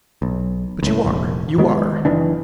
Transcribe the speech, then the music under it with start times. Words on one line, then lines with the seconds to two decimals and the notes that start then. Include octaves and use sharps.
But you are; you are.'
0.22 B1
0.83 C#2 A2
1.04 F1 A#1
1.58 D#3 G#3 B3
2.05 F#1 D#3 E3 D4